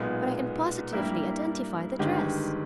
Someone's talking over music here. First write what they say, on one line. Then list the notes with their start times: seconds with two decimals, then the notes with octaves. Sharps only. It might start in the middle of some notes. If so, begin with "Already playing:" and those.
"But I can positively identify the dress."
Already playing: B1 A#2 G#3 B3
0.93 G2 G3 A#3 E4
1.99 G1 G2 D#3 G#3 G4